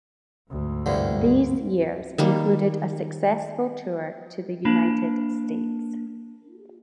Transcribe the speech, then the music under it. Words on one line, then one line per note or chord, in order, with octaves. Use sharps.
These years included a successful tour to the United States.
D2 G#2
C2 G2 D3
D#3 G3 A#3
A#3 D4 B5